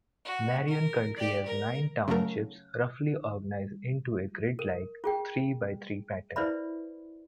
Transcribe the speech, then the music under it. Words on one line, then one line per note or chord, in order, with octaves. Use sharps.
Marion County has nine townships roughly organized into a grid-like, three-by-three pattern.
F#4
A#4
G4 D5
A#4
C#3 F#3 A3 A#4
A#4
F4 G#4 G5
E4 B4 C5 D5 E5 B5